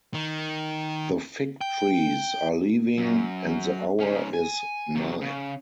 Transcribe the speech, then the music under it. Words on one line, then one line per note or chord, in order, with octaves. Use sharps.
The fig trees are leaving and the hour is nigh.
D#3
G5
F#2
G#2 C#4
G#5
C3 F#3
C#3